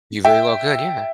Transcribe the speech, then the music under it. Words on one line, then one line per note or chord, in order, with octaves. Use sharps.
You very well could, yeah.
E5 G5